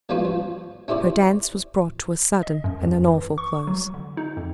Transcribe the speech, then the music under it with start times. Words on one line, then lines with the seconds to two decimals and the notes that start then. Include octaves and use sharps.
Her dance was brought to a sudden and an awful close.
0.09 F3 G3 B3 C#4 F4 F#4
0.25 F3
0.88 C#4 E4 G4 C5 D5
2.43 D#5
2.64 F#2
2.82 F2
3.08 E3
3.38 C#6
3.67 F#3
3.94 D3
4.17 D#4
4.37 F2